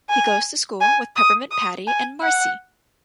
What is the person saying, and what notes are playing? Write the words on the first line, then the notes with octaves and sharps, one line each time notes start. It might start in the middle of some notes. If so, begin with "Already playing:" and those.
He goes to school with Peppermint Patty and Marcie.
G#5
G#5
D#6
D#6
G#5
F#5